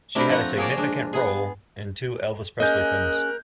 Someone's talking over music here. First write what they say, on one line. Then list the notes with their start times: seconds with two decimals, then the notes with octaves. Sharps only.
She had a significant role in two Elvis Presley films.
0.15 G3 A3 C4 D4 E4 A#4
0.29 F3 A3 F#5 A#5
0.57 A#3 G#4 A#4 C#5 D5 A5
0.77 G#3 D4
1.13 B3 G#4
2.60 A#3 C#4 G#4 A#4 D#5 F#6 G6